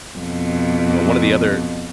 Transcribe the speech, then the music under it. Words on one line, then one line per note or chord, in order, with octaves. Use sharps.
you know, one of the other
F2 B2